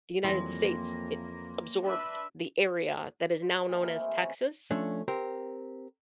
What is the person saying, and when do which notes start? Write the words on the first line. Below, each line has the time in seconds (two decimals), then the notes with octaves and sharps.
The United States, it absorbed the area that is now known as Texas.
0.24 F2 E3 F#3 G3 A#3 C6 A#6
1.84 D4 B4 E5
3.24 D5
3.42 C5
3.69 A#2 D#4 F5 A5
3.81 E3 G4 A4 A#4
4.00 G#3 A3 C4
4.21 C4 C#4 F#4
4.71 F3 A3 C#4 D4
5.08 C4 G4 A#4